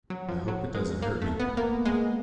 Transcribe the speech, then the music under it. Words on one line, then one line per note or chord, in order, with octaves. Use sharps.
I hope it doesn’t hurt me.
F#3
F3
F#3
G#3
A#3
A3
B3
A#3
G#3